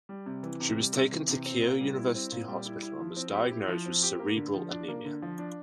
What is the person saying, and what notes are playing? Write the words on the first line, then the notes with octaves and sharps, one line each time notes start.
She was taken to Keio University Hospital and was diagnosed with cerebral anemia.
G3
C3
E3
C3
G3
C3
E3
C3
C4
A#2
G3
E4
C4
A#2
G3
E4
E4
F3
C4
G4
E4
F3
C4
G4
A#3
D3
F3
D4
A#3
D3
F3
D4